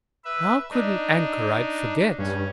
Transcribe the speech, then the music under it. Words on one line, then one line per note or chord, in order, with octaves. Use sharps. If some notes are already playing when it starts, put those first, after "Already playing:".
How could an anchorite forget!
B4 E5
D4 D#4
G2 C#4